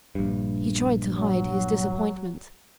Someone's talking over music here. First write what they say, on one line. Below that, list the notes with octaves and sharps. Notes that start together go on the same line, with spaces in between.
He tried to hide his disappointment.
A#1 G2
F#3